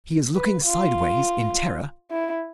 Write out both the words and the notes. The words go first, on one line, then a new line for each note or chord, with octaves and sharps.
He is looking sideways in terror.
B4
F4
E4